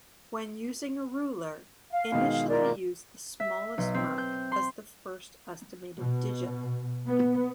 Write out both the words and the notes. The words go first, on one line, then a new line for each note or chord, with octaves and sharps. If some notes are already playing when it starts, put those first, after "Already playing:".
When using a ruler, initially use the smallest mark as the first estimated digit.
F5
B2 D#3 G#3
F4 A#4 D5
E5
B1
C4
G6
C6
B2
B3